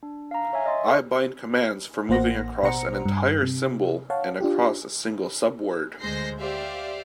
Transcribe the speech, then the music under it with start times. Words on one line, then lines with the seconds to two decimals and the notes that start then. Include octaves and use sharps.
I bind commands for moving across an entire symbol and across a single subword.
0.03 D4
0.31 F5 A#5
0.53 C#5 E5 G#5
0.65 C#5 D#5 E5 C6 A6
0.85 A4 C#6
2.09 A1 A#3 C5 F#5 A#6
2.63 A1 B2 C5 F#5 A#5 C#7
3.06 G2
3.43 C3
4.10 C#5 F5 F#5 A5
4.40 D4 F4 G4
6.00 D2 G#3 C5 G6 A#6 C7
6.39 G4 C5 D5 E5 F5